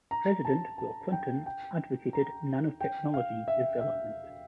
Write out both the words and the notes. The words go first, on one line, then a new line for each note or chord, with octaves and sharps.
President Bill Clinton advocated nanotechnology development.
A#5
A5
A5
G5
G5
A#5
G5
F5
E5
E5